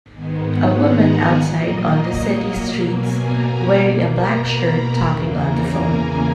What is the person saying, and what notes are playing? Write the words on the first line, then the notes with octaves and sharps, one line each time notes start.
A woman outside on the city streets wearing a black shirt talking on the phone.
G#2 D#3 G#3 B3 G#5
F#5
A#5
G#5
A#2 F#3 A#3 D#5
C#5
B2 F#3 A#3 F#5
G#5
A#5
B5
B2 A#3
A#5
B5
A#5
E2 C#3 E3 A#3 B5
A#5
G#5